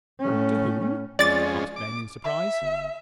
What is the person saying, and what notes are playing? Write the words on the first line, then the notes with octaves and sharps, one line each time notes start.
"To whom?" asked Ben, in surprise.
A2 C#4
F2 G#3 C#4 D5 A6
D6
E5
G1